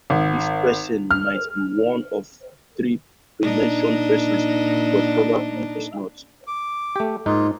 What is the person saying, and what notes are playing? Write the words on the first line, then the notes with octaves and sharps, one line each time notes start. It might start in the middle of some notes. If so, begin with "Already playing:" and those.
This person might be one of the three prementioned persons, but probably is not.
G#1
F6
A#2 D4 D#4
D6
A3 G4
G#2 A#3 D#4 F4